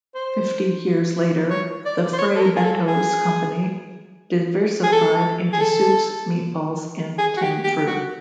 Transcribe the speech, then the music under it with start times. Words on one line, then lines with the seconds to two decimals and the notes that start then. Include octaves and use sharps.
Fifty years later, the Fray Bentos company diversified into soups, meatballs and tinned fruit.
0.15 C5
1.50 C#5
1.85 D5
2.13 C5
2.18 C#5
2.35 A4
2.41 A#4
2.56 G#4
2.64 A4
2.88 G#4
4.83 G#4
4.92 A4
5.53 G#4
5.60 A4
7.18 G#4
7.37 F#4
7.42 G4
7.64 G4
7.87 F#4